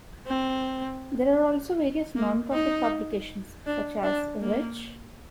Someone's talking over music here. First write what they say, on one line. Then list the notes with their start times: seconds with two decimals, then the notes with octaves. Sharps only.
There are also various non-profit publications, such as Which?
0.27 C4
2.16 A#3
2.52 D#4
3.66 D4
4.03 D4
4.41 A#3